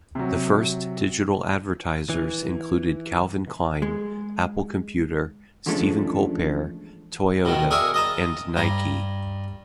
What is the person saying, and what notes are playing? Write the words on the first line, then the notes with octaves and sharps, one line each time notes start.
The first digital advertisers included Calvin Klein, Apple Computer, Stephen Colbert, Toyota and Nike.
C3 F#3
E3
G#3
E2 C#3 F3 G#3 A3 D4
B2 D#3
G#4 A#4 D5 E5 C#6
D#5 A5 A#5
G2 A#5